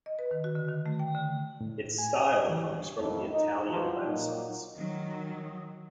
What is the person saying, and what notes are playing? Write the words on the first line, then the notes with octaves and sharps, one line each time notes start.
Its style comes from the Italian renaissance.
D#5
B4
D#3
F#4
D3
D#3
A3
G5
D3
A2
G#5
D#5
E3
F2 A2 D#4 A4
D#4
E3 F3 F#4
A#2 F#3 D#4
D#3 F#3